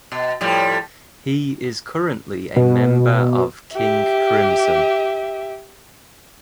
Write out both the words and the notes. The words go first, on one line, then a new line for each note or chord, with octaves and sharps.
He is currently a member of King Crimson.
B2
A2 F3 G3
B2
G4 E5